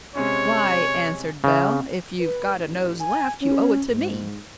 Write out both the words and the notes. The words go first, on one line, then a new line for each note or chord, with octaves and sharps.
"Why," answered Bell, "if you've got a nose left, you owe it to me."
C3 G#3 C#4 C#5
C#3
B4
A1
G#5
C#4
G#2